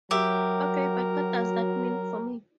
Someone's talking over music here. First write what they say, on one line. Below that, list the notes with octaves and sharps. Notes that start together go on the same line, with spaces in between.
Okay, but what does that mean for me?
F#3 G4 A#4 E5